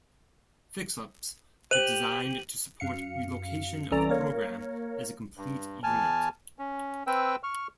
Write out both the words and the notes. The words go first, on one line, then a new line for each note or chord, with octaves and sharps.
Fixups are designed to support relocation of the program as a complete unit.
G4 C5 D#7 F#7
F#2 F5 C#7
C2 E3 C#4 A4 D5 A#5
A#3 A#4 C#5
G2
E2 G#5 A5 F6
C#4
C4 B4 G5 E6
C#6 F6